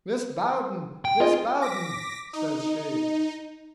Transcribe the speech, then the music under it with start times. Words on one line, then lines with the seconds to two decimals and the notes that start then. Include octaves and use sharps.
'Mis' Bowden, Mis' Bowden!' says she.
1.05 G5
1.20 F4 G#4 D#5
1.62 D6 A#6 B6
2.33 D#4